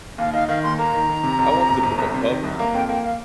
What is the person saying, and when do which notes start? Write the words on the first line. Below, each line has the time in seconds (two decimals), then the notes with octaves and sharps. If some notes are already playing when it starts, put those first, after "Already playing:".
I want to book a pub now.
0.18 D#2 F5
0.33 D#4 F5
0.49 D#3 F5
0.63 D#2 C6
0.79 A#3 A#5
0.94 D#3
1.09 D#3
1.24 C3
1.39 F2
1.54 C3
1.69 G1
1.83 G1
1.98 C2
2.14 C3
2.29 D#3
2.43 C2
2.58 A#3 A#5
2.74 F2 G5
2.88 A#3 G5
3.04 F5